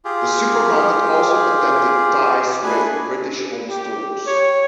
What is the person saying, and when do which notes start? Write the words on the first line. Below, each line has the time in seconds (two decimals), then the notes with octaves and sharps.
The supermarket also attempted ties with British Home Stores.
0.05 F4 G4 G#4
2.63 A3 D4 E4 G#4 B4 G#5
3.70 G4
4.27 C#5